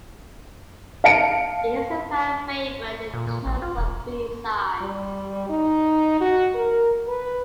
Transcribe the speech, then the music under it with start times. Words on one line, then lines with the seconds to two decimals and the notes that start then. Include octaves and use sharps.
It is a fan-favourite in terms of B-sides.
1.04 F5 A5 C#7 D7
3.14 A#2
3.27 A#2
3.46 A1
3.62 F4
3.77 E1
4.81 G3
5.49 D#4
6.21 F#4
6.55 A#4
7.08 B4